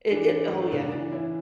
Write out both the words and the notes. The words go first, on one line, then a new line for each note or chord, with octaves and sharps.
It it Oh, yeah.
E3 D4
E3 D4
A3 D4
C#3 D4
E3 D4
E3 C#4 E4